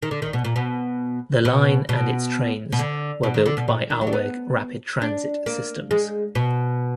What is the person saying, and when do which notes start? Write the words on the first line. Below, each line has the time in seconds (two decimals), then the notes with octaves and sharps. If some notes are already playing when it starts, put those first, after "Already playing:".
The line and its trains were built by Alweg Rapid Transit Systems.
0.02 D#3
0.11 D3
0.22 D#3
0.33 B2
0.44 A#2
0.56 B2
1.45 B2
1.89 B2
2.72 B2
2.79 D3
3.23 B2
3.34 D#3
3.46 D3
3.57 B2
3.68 A#2
3.90 D#3
4.01 F#3
4.07 D4
4.13 B3
5.02 D4
5.46 A#3
5.91 G#3
6.35 B2